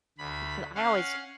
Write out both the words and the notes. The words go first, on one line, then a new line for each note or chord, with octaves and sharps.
because I always
D2 B5
C#4 F5 F#5